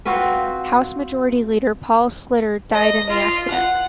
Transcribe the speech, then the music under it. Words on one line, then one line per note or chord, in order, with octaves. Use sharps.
House Majority Leader Paul Sliter died in the accident.
C4 F4 F#4 B4
D#5
F4
F#5